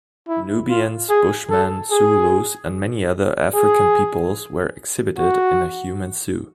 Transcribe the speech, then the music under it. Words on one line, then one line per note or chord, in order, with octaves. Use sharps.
Nubians, Bushmen, Zulus and many other African peoples were "exhibited" in a human zoo.
E4
F4
G#4
A4
G#4
G#4
F#4